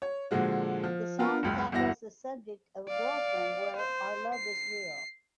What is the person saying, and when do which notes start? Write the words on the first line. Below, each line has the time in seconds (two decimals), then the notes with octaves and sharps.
The song tackles the subject of a girlfriend where, our love is real.
0.02 C#5
0.31 A#2 D3 F3 G#3 F#4
0.84 F3
1.19 B3 F4 A#4
1.43 F#1 C#2 C#3
1.72 G1 E2 E4 F#4 A#6
2.88 D5 F5
3.77 C5
4.34 C7